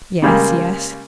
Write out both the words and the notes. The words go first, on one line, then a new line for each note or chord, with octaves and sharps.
"Yes, yes."
C#3 G3 G#3 A#3